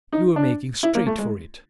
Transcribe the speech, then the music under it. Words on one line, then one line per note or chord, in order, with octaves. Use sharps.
You were making straight for it.
D#4
D4
E4
A#3
A3
G#3